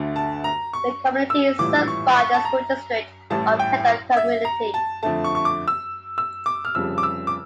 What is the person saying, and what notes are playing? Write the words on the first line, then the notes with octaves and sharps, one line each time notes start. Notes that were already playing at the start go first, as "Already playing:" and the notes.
The community is served by the School District of Cadott Community.
Already playing: D2 D3 A3
A5
A#5
C#6
E6
A#1 A2 E3 G3 D6
C#6
C#6
A5
A#5
A1 A2 G3 A5
G5
E5
A#5
A5
F2 D3 A3 A5
C#6
C#6
D6
E6
E6
D6
F6
F1 F2 C#3 G3 E6
D6
E6
D6